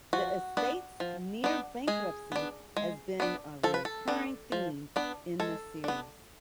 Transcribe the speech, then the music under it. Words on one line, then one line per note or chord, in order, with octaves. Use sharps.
The estate's near bankruptcy has been a recurring theme in the series.
F3 F#4
B3 D4
F3
B3 D4
G#3 G#4
B3 D4
G#3
B3 D4
F3 A4
B4
A4
B3 D4
F3
B3 D4
G#3 A4
B3 D4